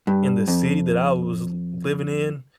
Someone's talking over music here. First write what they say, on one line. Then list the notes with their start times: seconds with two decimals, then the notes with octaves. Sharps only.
in the city that I was l living in,
0.07 G2
0.48 F2